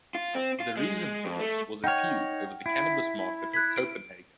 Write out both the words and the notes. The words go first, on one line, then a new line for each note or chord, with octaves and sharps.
The reason for this was a feud over the cannabis market of Copenhagen.
F4
C4
F4
G#3
F2
A3
D#4 C#5 F#5 G5 F6
E4
F#6 G#6 B6
D7